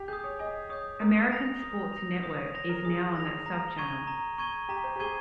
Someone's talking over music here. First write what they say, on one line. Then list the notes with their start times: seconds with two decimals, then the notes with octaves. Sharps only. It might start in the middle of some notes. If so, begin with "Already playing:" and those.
American Sports Network is now on that subchannel.
Already playing: G4
0.08 G#4 D#6 G6
0.24 C#5
0.39 D#5 G#5
0.69 C#5 D#6 G6
1.01 A#4 D#6
1.32 A#6 F7
1.62 D#6
1.92 A#6 F7
2.23 C5 D#6
2.39 C#5
2.54 C5 A#6 F7
2.69 A#4
2.85 G#4 D#6
3.16 A#6 F7
3.46 A#5
3.78 C#6 G#6 D#7 G7
4.07 A#5
4.38 C#6 G#6 D#7 G7
4.69 G4 A#5
4.84 C5
4.96 G4
5.00 G#4 C#6 G#6 D#7 G7